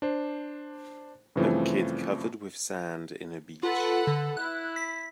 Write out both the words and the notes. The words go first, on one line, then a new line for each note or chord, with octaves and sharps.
A kid covered with sand in a beach.
D4 C5
G2 C#3 E3 F3 A3 C4
F4 A4 B4 F#5
D3
E4 F#6
B6